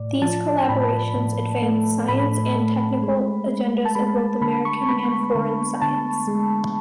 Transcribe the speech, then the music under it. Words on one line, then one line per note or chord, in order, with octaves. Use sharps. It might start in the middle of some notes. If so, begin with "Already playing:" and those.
These collaborations advance science and technical agendas of both American and foreign science.
Already playing: A2 D5
F3 A5
A2 B5
A2
A3
A2 B5
A3
G#3
G#3
A5
G#3 B5
A5
D3 B5
C#6
B3 B5
D3
D3 A5
G#3